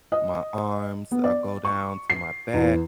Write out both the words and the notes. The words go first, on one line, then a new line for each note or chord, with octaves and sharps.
my arms, I go down to my back.
D#5
B3
D5
C#6
C7
E2